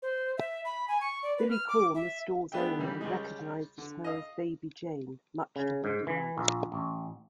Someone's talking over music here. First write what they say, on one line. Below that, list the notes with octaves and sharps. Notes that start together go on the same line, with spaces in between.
Billy Korn, the store's owner, recognizes her as Baby Jane much to her delight.
C5
E5
B5
G#5
C#6
D5
B4
F6
D6
E5
A3 B3 D4 G#4 E5 G5
D#3 E3 G3
C#2 G3 G#3
D3
D#5 F5 D#6
C#3
G#2
E3
A#1
A1